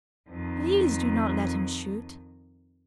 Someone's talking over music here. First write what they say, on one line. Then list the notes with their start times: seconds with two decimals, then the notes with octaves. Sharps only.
"Please do not let him shoot!"
0.29 F2 D#3